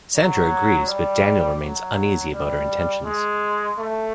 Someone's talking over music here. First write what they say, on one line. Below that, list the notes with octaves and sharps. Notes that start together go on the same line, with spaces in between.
Sandra agrees, but Daniel remains uneasy about her intentions.
F#3
G3
F#3
G3
G#3
A3